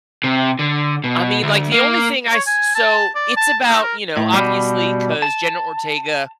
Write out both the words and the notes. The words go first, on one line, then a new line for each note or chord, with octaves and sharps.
I mean, like, the only thing I s so, it's about, you know, obviously, 'cause Jenna Ortega
C3
D3
B2
D2
A#3
C#5
G#5
A5
D5
A5
D#4
A#4
A2
B2 G3
A5